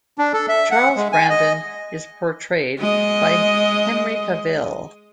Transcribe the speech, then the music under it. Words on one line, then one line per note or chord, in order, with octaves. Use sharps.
Charles Brandon is portrayed by Henry Cavill.
D4
A4
E5
F#5
G#3
G#5
D#5
G#3 D#5